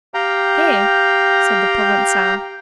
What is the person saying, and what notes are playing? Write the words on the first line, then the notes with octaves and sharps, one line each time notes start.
"Here," said the Provencal.
G4 F5 G5 A#5